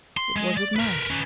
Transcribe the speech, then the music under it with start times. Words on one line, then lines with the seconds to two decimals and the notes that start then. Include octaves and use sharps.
It was at night.
0.17 C6
0.36 G#3
0.57 D5
0.76 A#4 B4
1.10 C#4 B4